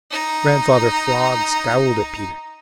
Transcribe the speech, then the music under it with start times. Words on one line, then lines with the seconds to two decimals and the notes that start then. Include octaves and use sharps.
Grandfather Frog scowled at Peter.
0.11 D#4 A#5